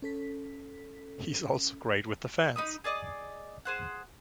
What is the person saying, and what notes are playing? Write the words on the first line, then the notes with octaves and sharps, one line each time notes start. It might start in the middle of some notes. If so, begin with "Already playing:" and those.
He's also great with the fans.
C#4 A4 B6
D#4 B5 D#6
G#4 D5 D#5
G#4 C5 F#5